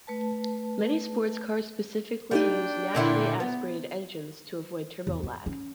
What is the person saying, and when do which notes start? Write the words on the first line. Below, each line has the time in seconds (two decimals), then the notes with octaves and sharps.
Many sports cars specifically use naturally aspirated engines to avoid turbo lag.
0.07 A3 B4 A5
2.31 G3 D4 D#4 G4 F5 G5
2.95 A#2 D3 E4
3.40 B3
5.07 E2
5.23 B3
5.46 C#4